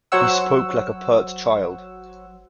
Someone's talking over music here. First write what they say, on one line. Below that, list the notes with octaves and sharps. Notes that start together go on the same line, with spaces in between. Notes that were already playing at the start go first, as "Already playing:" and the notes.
He spoke like a pert child.
F#3 C5 C#5 F#5 E6